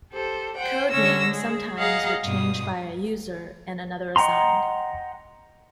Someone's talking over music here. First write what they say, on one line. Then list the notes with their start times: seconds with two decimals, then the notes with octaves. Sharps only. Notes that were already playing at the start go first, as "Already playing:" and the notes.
Code names sometimes were changed by a user and another assigned.
0.12 G4 A4 C5
0.56 C5 F#5 G5
0.90 D3 C#4 C#5 E6 A#6
1.31 G#3 G#4
1.78 G#4 D#5 F5 F#5 A#5
2.23 G2 B2 D#6
4.16 D#5 F#5 G5 A#5 C6